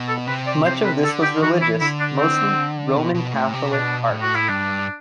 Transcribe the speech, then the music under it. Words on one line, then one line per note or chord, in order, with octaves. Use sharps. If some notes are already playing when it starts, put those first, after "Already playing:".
Much of this was religious, mostly Roman Catholic art.
Already playing: B2
A4
C3 B4
D5
C3 C5
B4
D3 A4
G4
E3 F#4
E4
D3 E4
D4
C4
B2
B2
A2
C3
B2 D4
A2
F#4
E4
G2 D4